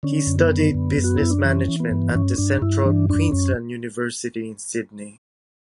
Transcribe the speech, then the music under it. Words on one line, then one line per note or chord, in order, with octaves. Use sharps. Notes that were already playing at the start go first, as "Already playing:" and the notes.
He studied business management at the Central Queensland University in Sydney.
D3 C#4
F#2
B3
D3
F#2
F#2
F#4
F#2 E4
D4
E3 C#4
E3
B3
G2
G2 C#4
G2 D4
G2 E4
E3 D4
F#2 D4
F#2 C#4